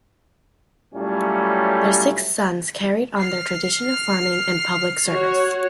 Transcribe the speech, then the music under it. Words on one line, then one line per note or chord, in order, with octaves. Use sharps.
Their six sons carried on their tradition of farming and public service.
A#2 F#3 G3 A3 C#4 E4
F6 C7
F#4 C#5